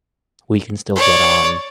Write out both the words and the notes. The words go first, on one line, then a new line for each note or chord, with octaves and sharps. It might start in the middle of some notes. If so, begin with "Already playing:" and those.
we can still get on
C#5 D5